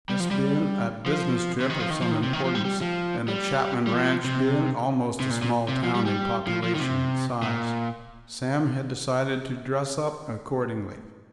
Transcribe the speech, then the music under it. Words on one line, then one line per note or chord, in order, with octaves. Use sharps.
This being a business trip of some importance, and the Chapman ranch being almost a small town in population and size, Sam had decided to "dress up" accordingly.
G3
F3
G3
F3
C3
D#3
F3
D#3
F3
D#3
C3
D#3
F3
G3
G3
F3
G3
G3
F3
C3
C3
A#2
A#2
C3
F3
G3
G3
F3
F3
D#3
C3
A#2